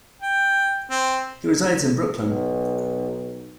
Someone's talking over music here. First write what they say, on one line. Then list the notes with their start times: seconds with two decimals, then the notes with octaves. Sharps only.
He resides in Brooklyn.
0.22 G5
0.90 C4
1.57 A1
2.21 B1